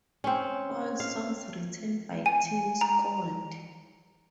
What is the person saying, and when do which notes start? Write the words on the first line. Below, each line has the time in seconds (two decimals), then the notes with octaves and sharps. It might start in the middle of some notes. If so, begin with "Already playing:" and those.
All songs written by Tim Skold.
0.24 C4 C#4
1.00 F5
2.26 G#5
2.81 A#5